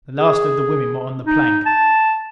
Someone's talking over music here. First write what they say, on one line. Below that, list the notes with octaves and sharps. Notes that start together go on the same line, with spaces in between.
The last of the women were on the plank.
G#4
D#4
A5